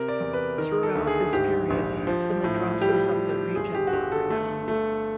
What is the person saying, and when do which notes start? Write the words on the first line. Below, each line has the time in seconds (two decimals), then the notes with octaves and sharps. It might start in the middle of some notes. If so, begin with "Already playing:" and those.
Throughout this period, the madrasahs of the region were renowned.
Already playing: C3 A#4
0.08 D5
0.21 E2
0.33 B4
0.58 D#3 A#4
0.83 A4
0.95 D2
1.07 G#4
1.33 G#2 G4
1.70 A#1
2.07 F3
2.44 A2
2.81 G3 G4
3.19 G3
3.56 G1 G#4
3.74 G4
3.87 F#4
3.93 G1 G4
4.12 A4
4.30 A3
4.68 A3